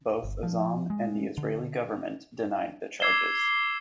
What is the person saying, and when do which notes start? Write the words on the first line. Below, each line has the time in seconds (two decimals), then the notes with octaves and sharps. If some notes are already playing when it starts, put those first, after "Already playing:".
Both Azzam and the Israeli government denied the charges.
0.24 G1
0.43 F3
0.90 G#3
1.37 D3
3.00 D6 E6 G#6 C7 E7 G7